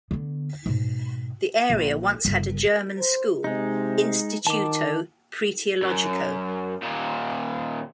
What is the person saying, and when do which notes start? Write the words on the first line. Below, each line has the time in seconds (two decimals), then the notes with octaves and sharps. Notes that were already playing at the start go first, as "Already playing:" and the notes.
The area once had a German school, Instituto Preteologico.
0.11 D3 B3
0.66 G#2 B2
1.70 A#1
2.25 G1 C#3
2.99 C5
3.44 C3 G#3 D#4
4.47 D#3 A5 D6
5.82 F#2
6.82 D#2 A#2